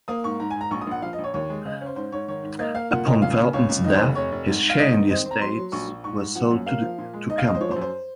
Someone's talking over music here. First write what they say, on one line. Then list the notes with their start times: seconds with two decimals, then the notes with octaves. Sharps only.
Upon Felton's death, his share in the Estates were sold to Campbell.
0.08 A#3 D#6
0.24 G#2 C#6
0.39 G#2 A#5
0.50 G#5
0.56 G#2
0.61 A#5
0.71 A#1 C#6
0.81 D#6
0.87 A#1 F#5
1.02 F3 F5
1.13 D#5
1.18 A#1
1.24 C#5
1.34 D#2 C#5
1.50 G#3
1.65 C#3 D#5
1.81 C#4 C5
1.96 G#2 C5
2.12 G#2 C#5
2.28 D#3 C#5
2.43 G#2
2.59 A#3 D#5
2.74 A#3 F5
2.91 A#2 F#5
3.06 A#2 D#5
3.22 C#3 F5
3.37 C#3
3.53 C#2 C#5
3.69 C#2
3.84 D#3 D#5
3.95 C5
4.00 F1
4.15 F1 C#5
4.32 F1
4.47 G#2
4.63 G#2
4.70 F5
4.78 G#2 D#5
4.95 D#3
5.10 C4 D#5
5.26 C4
5.31 A#5
5.41 F#3 C6
5.57 F#3
5.72 A#1 C#6
5.88 A#1
6.04 G#2 C#6
6.20 G#2
6.35 F3 F#5
6.51 F#2
6.66 A#3 F5
6.82 F3
6.98 A#2
7.14 G#3
7.29 D#4 D#5
7.38 F5
7.45 G#3 D#5
7.55 C5
7.61 F3 C#5
7.71 C5
7.76 F#2
7.81 C5